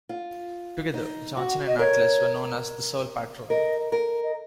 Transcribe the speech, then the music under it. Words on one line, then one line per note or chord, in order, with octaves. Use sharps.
Together, Johnson and Atlas were known as "The Soul Patrol".
F4
D#4
F#4
D#5
A#4 C#5
A#4 D#5
A#4
D#5